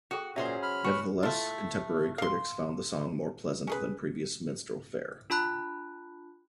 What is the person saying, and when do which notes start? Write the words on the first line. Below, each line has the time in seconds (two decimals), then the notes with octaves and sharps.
Nevertheless, contemporary critics found the song more pleasant than previous minstrel fare.
0.11 F#4 G#4 A4 G5
0.36 A#2 F#3 C#4 G#4 C5 E5
0.62 B5 F6
0.84 F#4 C#5 G#5 C#6
1.23 A3 E4 F4
2.18 F5 C6
3.67 C#4 G#4 B4
5.30 D4 F4 A5 B5 F#6